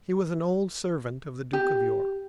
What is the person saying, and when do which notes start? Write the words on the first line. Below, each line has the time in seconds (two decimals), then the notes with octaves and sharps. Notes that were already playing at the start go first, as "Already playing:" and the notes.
He was an old servant of the Duke of York.
1.53 G4